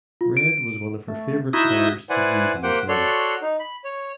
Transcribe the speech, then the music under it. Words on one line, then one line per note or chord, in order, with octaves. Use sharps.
Red was one of her favorite colors to use in this way.
F4
D7
A3
D#4 E4 F#4 E5 D#6
E4 B4 C5 D5 F#5 G#5
A#3 G4 C5 F#5 G5
F#4 A4 C#5 D5 C6
D#4
B5
C#5